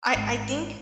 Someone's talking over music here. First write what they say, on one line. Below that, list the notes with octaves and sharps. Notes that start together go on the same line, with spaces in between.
I I think
G#1